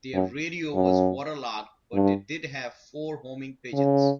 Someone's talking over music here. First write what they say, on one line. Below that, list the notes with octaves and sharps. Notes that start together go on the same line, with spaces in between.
Their radio was waterlogged, but they did have four homing pigeons.
F#2
F#2
G2
C#3